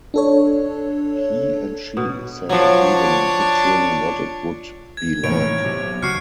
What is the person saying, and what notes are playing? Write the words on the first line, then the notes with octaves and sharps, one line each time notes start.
He and she sat at evening picturing what it would be like.
D4 A4 C#5
B2
F3 F#3 D4 C#5
G#6
A2 C3 D#3 E3 A#3 C#5 D7
C3 F#3 B3
E2 C#3 F#4 C#6 F6 C7 C#7